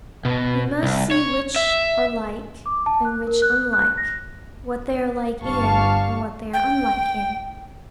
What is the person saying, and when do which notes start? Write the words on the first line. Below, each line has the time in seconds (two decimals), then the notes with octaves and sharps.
You must see which are like, and which unlike; what they are like in, and what they are unlike in.
0.25 B2
0.83 C2
1.11 C#5
1.56 E5
2.66 D6
2.86 A5
3.05 F#6
3.27 A#4
3.42 F#6
3.73 F#6
3.97 A#6
5.44 G1 G3 F5 A5 C#6
6.53 G5